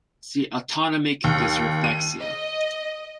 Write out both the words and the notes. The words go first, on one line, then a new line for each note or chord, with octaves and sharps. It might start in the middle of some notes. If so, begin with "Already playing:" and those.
See Autonomic dysreflexia.
D#2
D#7
D#5